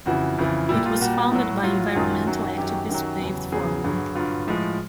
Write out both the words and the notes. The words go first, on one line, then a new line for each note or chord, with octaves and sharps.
It was founded by environmental activist Dave Foreman.
F2 C#3 E3 F#4
F2 C#3 E3 F4
A#2 G3 E4
F4
A#2 G3 F#4
A2 F#3
A2 F#3 F4
F4
F#2 D#3 F#3 F4
F#2 D#3 F#3 F#4
F#2 D#3 F#3 G4
F#2 D#3 F#3
E2 C#3 F#3
E2 C#3 F#3 G#4
G2 D3 F#3 G#4
G2 D3 F#3 F4
A2 F3 G#3